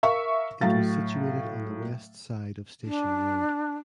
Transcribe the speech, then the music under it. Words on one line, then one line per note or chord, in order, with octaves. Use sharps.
It was situated on the west side of Station Road.
A#4 E5 F5 C#6
A2 F#3 F5 A6
D4